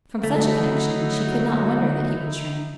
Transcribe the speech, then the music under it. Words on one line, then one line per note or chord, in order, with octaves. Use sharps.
From such a connection she could not wonder that he would shrink.
D3 F#3 A3 D#4 E4 F#4